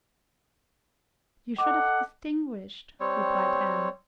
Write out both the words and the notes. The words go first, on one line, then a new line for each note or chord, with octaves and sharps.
"You should have distinguished," replied Anne.
A4 D#5 F#5 D6
G3 C4 C#5